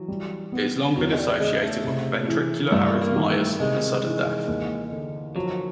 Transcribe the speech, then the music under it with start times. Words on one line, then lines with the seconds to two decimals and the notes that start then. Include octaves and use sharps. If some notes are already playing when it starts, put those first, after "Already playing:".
It has long been associated with ventricular arrhythmias and sudden death.
Already playing: E3 F#3
0.08 G3
0.52 B3
0.96 E2 F#3
1.12 G#3
1.19 G3
1.40 C#3 G#3
1.62 A3
1.84 C3
2.28 E3
2.72 G2 A3
3.02 A#3
3.16 D#3
3.31 A3
3.60 C3 G#3
4.04 E3
4.48 D#2
4.92 D3
5.35 F3 F#3